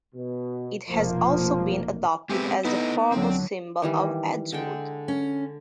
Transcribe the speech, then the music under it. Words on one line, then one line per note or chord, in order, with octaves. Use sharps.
It has also been adopted as the formal symbol of Edgewood.
B2
F1 B2 F3 A#3
G#3 A3 B3 C4 G4
B3 D#4 E4 A4 D#5
C#2 D3 F#3 C4
D#3 E3 G3
D3 G#3 G5
C#4